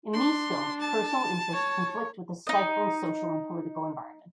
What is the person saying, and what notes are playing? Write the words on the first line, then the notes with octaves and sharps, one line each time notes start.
In these films personal interests conflict with the stifling social and political environment.
D4 C6
A5
C#5
D#4 D#5